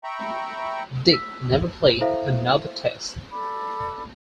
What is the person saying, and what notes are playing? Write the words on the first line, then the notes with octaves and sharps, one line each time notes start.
Dick never played another Test.
E5 G5 A#5 B5 C#6
E6 B6
E4 A4 C5 E5 F5
A4 D5 B5 D6